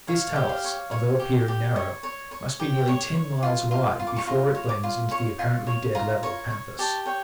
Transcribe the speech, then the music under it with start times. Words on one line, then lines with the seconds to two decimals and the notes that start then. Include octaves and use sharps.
This talus, although appearing narrow, must be nearly ten miles wide before it blends into the apparently dead level Pampas.
0.07 C#5 F5
0.36 G4
0.49 F5
0.64 C#5
0.91 C#5
1.19 G4
1.48 G4
1.76 C#5
2.03 C#5
2.31 C#5
2.59 G4 G5
2.87 C#5
3.15 C#5
3.43 F4
3.71 F4
4.00 F4
4.07 D6
4.16 C#6
4.27 F4 A#5
4.55 C#5
4.69 D6
4.83 F4
5.11 C#5 C#6
5.39 F4
5.67 C#5
5.95 F4 A#5
6.23 C#5
6.50 C#5
6.79 G4 A5
7.06 C#5 G5